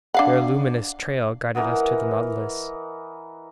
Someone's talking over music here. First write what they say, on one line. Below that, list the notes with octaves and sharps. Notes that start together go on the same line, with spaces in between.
Their luminous trail guided us to the Nautilus.
D4 F5 F#5
E3 A#4 D#5 F#5